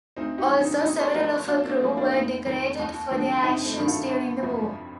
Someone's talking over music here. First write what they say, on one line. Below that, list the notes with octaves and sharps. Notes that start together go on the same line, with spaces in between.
Also, several of her crew were decorated for their actions during the war.
D2 C4 D#4
D#4 G4
D3 F3
C4 D#4
A#1 C4 D#4
A4 C5
A2 F3 G4 A#4
A#1 D4 F4
C4
A#3 D4
A2 F3 A#3
A#3 D4
F1 C4 D#4
F2 D#3
D#2
D3 F3
G1 C4 D#4
A3 C4
G2 D#3
F4 A4
G1
F2 C3 F3